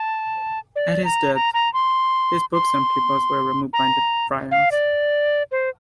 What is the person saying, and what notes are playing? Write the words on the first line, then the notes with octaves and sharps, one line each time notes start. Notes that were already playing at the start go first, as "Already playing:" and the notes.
At his death, his books and papers were removed by the friars.
Already playing: A5
D5
A#5
A#5
A#5
C6
C6
A#5
F5
D5
C5